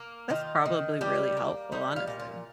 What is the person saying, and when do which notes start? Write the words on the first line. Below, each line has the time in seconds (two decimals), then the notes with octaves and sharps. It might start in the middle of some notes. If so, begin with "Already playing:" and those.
That's probably really helpful, honestly.
Already playing: A#3
0.30 D#3 F4
0.66 D#3
1.01 G3 G4
1.37 A#3
1.72 G3 D#4
1.96 F4
2.07 A#2
2.20 F4